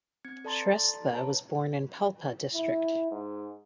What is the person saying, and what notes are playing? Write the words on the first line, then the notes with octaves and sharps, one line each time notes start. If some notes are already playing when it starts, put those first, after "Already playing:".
Shrestha was born in Palpa district.
C4 G#6 C#7
A4 D5 A5 A#5 C6 A6
B4 C#5 A5 A#5
E4
G#2